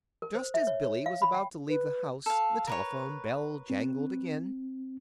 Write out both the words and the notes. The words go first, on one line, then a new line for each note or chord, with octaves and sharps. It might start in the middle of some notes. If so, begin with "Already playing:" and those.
Just as Billy was about to leave the house the telephone bell jangled again.
A#4
C5
E5
C#5
C#5
F5
B5
G5
B4
A4 F5
A#4 B4 C#5
C4